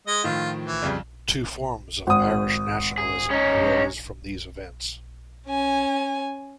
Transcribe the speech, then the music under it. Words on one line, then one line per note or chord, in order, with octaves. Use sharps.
Two forms of Irish nationalism arose from these events.
G#3 D#5
A2 D#3 F3 F4
E3
F2 C#3 G3
G#1 D#6
G#4
C#4 D#4
C#4 G#5